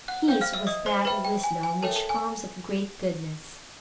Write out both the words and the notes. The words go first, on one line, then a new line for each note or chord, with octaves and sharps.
His was that wisdom which comes of great goodness.
F#5 F#6
C5 F5 G5 G6
F5 F6
E5 E6
D#5 D#6
C5 C6
B4 E5 G5 B5
G5
G#5
G#5
A4 A#4 C#5 E5 G5 A5
A4 A5
G#5